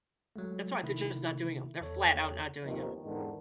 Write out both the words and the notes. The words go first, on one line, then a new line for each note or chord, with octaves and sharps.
That's right, they're just not doing 'em. They're flat out not doing 'em.
F#3 G#3 A3
C3 D#3 A3 E4
E2 A4 C#5
G1 D#2 D#3 F3 C4 D#4
E2 G#2 D3 D#3